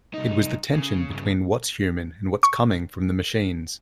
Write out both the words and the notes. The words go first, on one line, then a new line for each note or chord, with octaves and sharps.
It was the tension between what's human and what's coming from the machines.
C2 D#4
C#3
G2 C#3
C#6